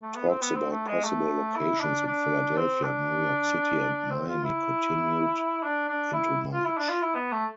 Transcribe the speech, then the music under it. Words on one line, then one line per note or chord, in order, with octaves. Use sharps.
Talks about possible locations in Philadelphia, New York City and Miami continued into March.
A3
B3
C4
B3
C4
A3
G#3
A3
E4
D4
D4
C4
D4
C4
F4
E4
D4
D4
E4
F4
E4
D4
F4
E4
B3
A3